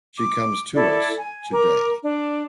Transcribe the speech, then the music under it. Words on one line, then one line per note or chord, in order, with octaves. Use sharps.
She comes to us to-day.
D6
E4 A4 D5
G#5
A#4 D6
D4